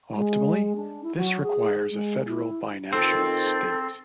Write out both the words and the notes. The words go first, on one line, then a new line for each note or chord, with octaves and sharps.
Optimally this requires a federal binational state.
G#3
D4
E4
F#3
G#4
G#3
E4
D#3 C4 F4 A4 C5